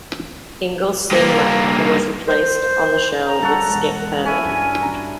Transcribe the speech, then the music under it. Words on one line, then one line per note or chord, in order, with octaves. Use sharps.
Ingles soon left, and was replaced on the show with Skip Herman.
G2 A#3
C5
A#5
G3 F#4 A4
E1 G#3
C#4 E4 G#5
G2
A#5